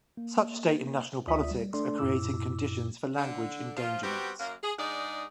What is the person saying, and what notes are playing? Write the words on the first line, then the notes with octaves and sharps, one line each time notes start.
Such state and national politics are creating conditions for language endangerments.
A#3
D2 F4 D5 E5 D#6 B6
G3
A3 D4 A4 D5 C6
F#2 A#2 E4 D6 E6
D3
F3 F4
G3 B3 C4 F#4 G4
F#2 A#3
G#4
G#2 D4 D#4 G#4 D5